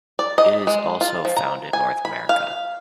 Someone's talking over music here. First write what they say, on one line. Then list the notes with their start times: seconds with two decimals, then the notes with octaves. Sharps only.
It is also found in North America.
0.19 D5
0.38 D#5
0.67 G#3
1.01 F4
1.25 F3
1.37 A#5
1.73 G#5
2.05 B5
2.29 F5